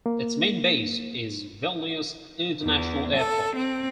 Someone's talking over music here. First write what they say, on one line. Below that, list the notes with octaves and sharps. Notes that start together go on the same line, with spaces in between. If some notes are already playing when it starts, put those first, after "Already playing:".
Its main base is Vilnius International Airport.
A#3
E2
A4
C4